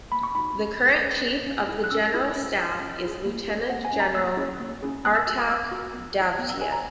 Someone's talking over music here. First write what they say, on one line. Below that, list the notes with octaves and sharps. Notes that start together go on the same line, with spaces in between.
The current Chief of the General Staff is Lieutenant General Artak Davtyan.
A#3 B5
C#6
D#4 F#4 B5
C#4
G#4
C#4
G#4
C#4
E4 G#4
F#6
C#4 E6
E4 G#4
C#4
E4 G#4
C#4
E4 G#4
A#3
C#4 F#4
A#3 F#5
G#5
C#4 F#4
A#5
A#3 E6
C#4 E4 G#4
A#3
C#4 E4 G#4
B3 F#6
E6
F#4 E6
D#6
B3 E6
F#4
B3
E4 G#4
B3
E6
E4 G#4 G#5
A#5